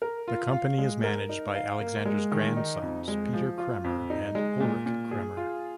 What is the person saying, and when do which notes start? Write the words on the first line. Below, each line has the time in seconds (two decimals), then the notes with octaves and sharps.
The company is managed by Alexander's grandsons, Peter Kremer, and Ulrich Kremer.
0.02 A#4
0.28 F4
0.53 F5
0.78 G#3
1.04 A#4
1.29 D#4
1.55 F5
1.80 A#3
2.05 G#3
2.31 D#3
2.57 D#4
2.82 F2
3.08 G#3
3.33 F3
3.58 F4
3.84 F2
4.10 D#4
4.35 G#3
4.60 A#2
4.86 A#2
5.11 G#4
5.37 F4